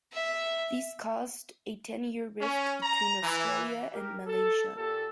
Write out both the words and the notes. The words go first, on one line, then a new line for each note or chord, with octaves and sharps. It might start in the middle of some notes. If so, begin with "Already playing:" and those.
This caused a ten-year rift between Australia and Malaysia.
E5
C#4
A#5
E3
G4 A#4
A4
A#2 G4 A4